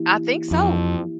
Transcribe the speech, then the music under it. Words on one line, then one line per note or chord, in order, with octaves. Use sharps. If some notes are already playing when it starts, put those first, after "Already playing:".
I think so.
Already playing: E3 A#3 E4 G4
F2